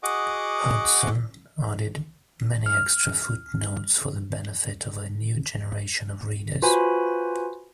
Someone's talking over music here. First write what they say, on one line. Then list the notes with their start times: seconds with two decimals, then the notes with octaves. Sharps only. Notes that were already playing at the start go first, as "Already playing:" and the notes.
Hudson added many extra footnotes for the benefit of a new generation of readers.
0.03 F#4 G#4 D#5 F#5 D6
2.66 F6
6.62 F4 F#4 B4 C5 G#5 B5